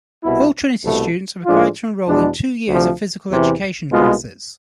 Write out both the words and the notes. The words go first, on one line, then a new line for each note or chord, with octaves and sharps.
All Trinity students are required to enroll in two years of physical education classes.
C2 B2 B3 E4
C2 B2 A3
A2 F3 G#3 D4 F4
E2 B2 G#3 D4
D2 C3 F3
E2 C3 E3
C2 B2 G#3 B3 F4